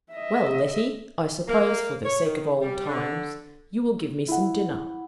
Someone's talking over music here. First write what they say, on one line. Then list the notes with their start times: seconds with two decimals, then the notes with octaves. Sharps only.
"Well, Letty, I suppose, for the sake of old times, you will give me some dinner?"
0.13 D#5 E5
1.48 A#3
2.04 C#5
2.24 D#3
2.62 G3
2.87 D3
4.28 E4 F#5